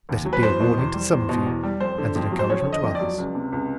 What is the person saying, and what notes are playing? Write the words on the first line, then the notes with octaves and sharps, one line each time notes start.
Let it be a warning to some of you, and an encouragement to others.
D#2
F#3
B4
E2 C5
B2
E2
G3
E2
B2
E2
G3
F2 C5
D3
F2
F#3
C5
F2 C#5
D3
D#5
F2
D5
F#3
C#2
C3
C#2